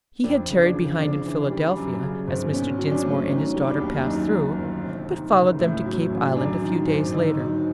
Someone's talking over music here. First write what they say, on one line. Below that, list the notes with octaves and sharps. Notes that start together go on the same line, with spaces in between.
He had tarried behind in Philadelphia, as Mr. Dinsmore and his daughter passed through, but followed them to Cape Island a few days later.
F2 D4
C#3
D4
F3
C#3 D4
E3
G3
F#2
C#3
G#1
B2 C#4
F#3
C#4
D4
A3
D#3 C#4
G3
D4
D#2
F#2 D#4
D#3
G1
C3
D#3
C#2
A2 E4
F#3
A1
F#2 D4
D#3
G#1
D3 D#4
F#3 D#4